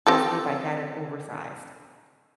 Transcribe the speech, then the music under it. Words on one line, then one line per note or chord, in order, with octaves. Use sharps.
is if I got it oversized,
C4 G4 A4